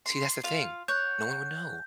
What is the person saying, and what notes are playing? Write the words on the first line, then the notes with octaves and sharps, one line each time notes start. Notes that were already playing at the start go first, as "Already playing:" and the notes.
See, that's the thing. No one would know.
C6
F4 F5
C#5 F#5 G6